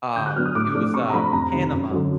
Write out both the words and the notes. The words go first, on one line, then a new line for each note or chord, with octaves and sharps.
um, it was, uh, Panama,
D3 G6
F#6
F#3 B3 D4 F6
D#6
A2 D6
F3 A3 D4
C3 C#6
A#5
F3 A3 D4 B5
F2 A#5
C3 D#3
F#2
D3 F#3